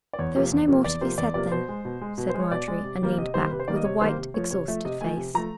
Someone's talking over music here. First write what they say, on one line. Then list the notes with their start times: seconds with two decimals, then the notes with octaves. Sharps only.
"There is no more to be said, then," said Marjorie, and leaned back, with a white, exhausted face.
0.13 D5
0.19 E2 C#5
0.35 C3 F3 A#3
0.52 E2
0.68 C3 F3 A#3
0.84 E2 D5
1.01 C3 F3 A#3 C5
1.18 E2 D5
1.34 C3 F3 A#3 D5
1.52 B2 C5
1.68 G#3
1.85 B2
2.01 G#3
2.18 B2
2.29 G#3 C5
2.40 C#5
2.51 B2 D5
2.68 G#3
2.84 C3
3.01 D#3 G3 A#3
3.17 C3 D#5
3.34 D#3 G3 A#3 C5
3.51 C3 B4
3.60 C5
3.68 D#3 G3 A#3 D5
3.76 D#5
3.84 C3 C#5
4.01 D#3 G3 A#3 C5
4.17 C3
4.34 F3 A3 C#5
4.51 C3 C#5
4.68 F3 A3 E5
4.85 C3 D#5
5.01 F3 A3 G#5
5.17 C3
5.34 F3 A3 A#5